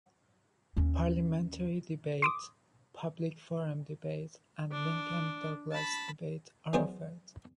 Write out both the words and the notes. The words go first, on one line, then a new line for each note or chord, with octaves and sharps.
Parliamentary Debate, Public Forum Debate and Lincoln Douglas Debate are offered.
D#2 C#4
C6 D6 D#6
D4
A5 B5
E3 F#3 B3 G#4 C5 D5